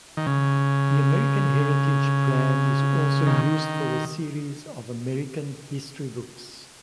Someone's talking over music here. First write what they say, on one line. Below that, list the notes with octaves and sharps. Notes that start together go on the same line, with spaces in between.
The "American Heritage" brand is also used for a series of American history books.
D#3
C#3
D#3